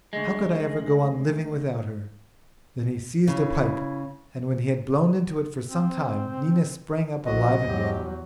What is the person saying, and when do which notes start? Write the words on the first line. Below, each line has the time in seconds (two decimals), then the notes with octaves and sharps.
How could I ever go on living without her?' Then he seized a pipe, and when he had blown into it for some time Nina sprang up alive and well.
0.13 D2 G#3
3.28 C#3 E4
5.69 C4
7.25 A#1 F#4 D#5
7.67 E2 F#3 G4